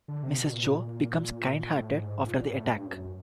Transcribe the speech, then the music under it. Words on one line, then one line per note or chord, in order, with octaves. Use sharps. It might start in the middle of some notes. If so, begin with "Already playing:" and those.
Mrs Joe becomes kind-hearted after the attack.
D3
C3
B2
A#2
A2
G#2
A#2
A#2
G#2
A2
G2
F#2